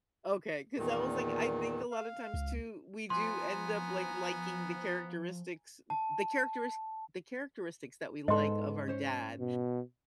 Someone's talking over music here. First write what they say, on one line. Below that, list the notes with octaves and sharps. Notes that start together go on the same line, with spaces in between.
Okay, 'cause I was like, I think a lot of times too, we do end up, like, liking the characteristics the characteris the characteristics that we like of our dad.
E2 A#2 D#3
F5
C#2
F3 B3 G#5 A#5 C6
A5
G#2 B3 A4 D#5 C6
C#4 C5 C#5
B2